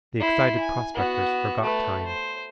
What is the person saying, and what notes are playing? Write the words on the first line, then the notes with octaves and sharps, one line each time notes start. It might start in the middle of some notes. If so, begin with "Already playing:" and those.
The excited prospectors forgot time.
E4 C6
G#5
B3 F#4
A3 B4
C5